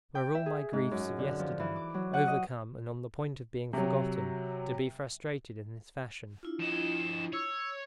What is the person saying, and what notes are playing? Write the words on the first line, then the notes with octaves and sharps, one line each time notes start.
Were all my griefs of yesterday, overcome and on the point of being forgotten, to be frustrated in this fashion?
G5
E5
G#4
G#2
F#2
D3
F3
E3
D6
F#3
F#5
D#5
C3 F#3
D4 E4 F4
F3 D#5 E7
C#5 E6